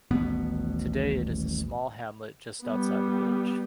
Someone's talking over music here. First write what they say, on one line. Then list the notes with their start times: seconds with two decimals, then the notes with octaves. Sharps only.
Today it is a small hamlet just outside the village.
0.11 D#1 A1 B2 B3
2.64 G3 B3